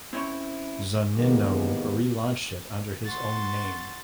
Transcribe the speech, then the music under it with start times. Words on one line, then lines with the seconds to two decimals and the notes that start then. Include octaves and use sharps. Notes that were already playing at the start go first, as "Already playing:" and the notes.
Zunino relaunched it under his own name.
0.13 C4 C#4 E4 C5 C#5
1.16 E2 C3 D#3 G#3 A#3 B3
3.04 F#4 C6 A6